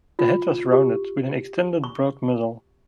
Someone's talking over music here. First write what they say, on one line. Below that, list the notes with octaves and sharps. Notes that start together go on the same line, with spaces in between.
The head was rounded with an extended broad muzzle.
F4
G4
C#6